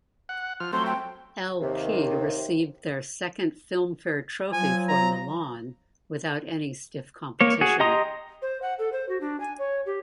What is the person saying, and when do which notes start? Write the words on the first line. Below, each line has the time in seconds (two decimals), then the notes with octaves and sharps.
L-P received their second Filmfare Trophy for "Milan" without any stiff competition.
0.29 F#5
0.60 F3 F6
0.73 F#3 A3 C4 C6
0.86 G5
1.61 D#2 C3
4.53 F3 F#3 G#5
4.89 A#5
7.41 A#3 C#5
7.61 F#4 G#4
7.80 G4 D#5 A#5 C6 D#6
8.42 C5
8.62 F#5
8.79 A4
8.92 C5
9.09 F#4
9.21 D4
9.40 G#5
9.59 C#5
9.86 G4